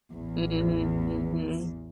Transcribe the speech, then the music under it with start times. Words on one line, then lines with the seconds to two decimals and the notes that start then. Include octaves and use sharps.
Mhm, mhm.
0.11 A1 E2